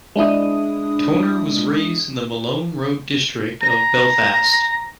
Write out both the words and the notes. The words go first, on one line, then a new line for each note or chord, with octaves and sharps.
Toner was raised in the Malone Road district of Belfast.
G#3 D4 E4 D#6
A#5